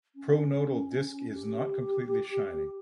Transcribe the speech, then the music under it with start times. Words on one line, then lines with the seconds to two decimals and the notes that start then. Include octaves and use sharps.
Pronotal disc is not completely shining.
0.15 C#4
1.33 G4